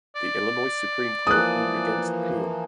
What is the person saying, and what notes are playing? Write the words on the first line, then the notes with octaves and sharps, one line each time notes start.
The Illinois Supreme Court ruled against Peel.
D5
E3 F3 A#3 D#6 F#6